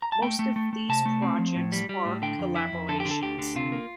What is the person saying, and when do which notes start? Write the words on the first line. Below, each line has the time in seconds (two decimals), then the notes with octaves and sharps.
Most of these projects are collaborations.
0.02 A#5
0.12 A5
0.22 A3 G5
0.39 A3
0.56 A3
0.73 A3
0.89 C3 A5
1.06 A3
1.22 C4
1.39 F3
1.56 A2
1.72 G3
1.89 G3
2.05 A2
2.22 D3 G5
2.39 F2
2.56 E4
2.72 F2
2.89 D3 A4
3.00 G4
3.05 D3
3.11 A4
3.22 D2 G4
3.39 D3
3.55 C3 F4
3.72 A#3